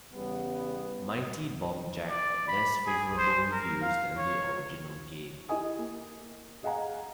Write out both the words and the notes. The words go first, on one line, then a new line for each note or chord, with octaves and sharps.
"Mighty Bomb Jack" got less favorable reviews than the original game.
E2 C#3 G3 B3
D5
B5
G#4
C5
A#4
F5
C#5
E4 G4 D#5 G#5 D#6
A#3
G#4 D#5 F5 F#5 G#5 A#5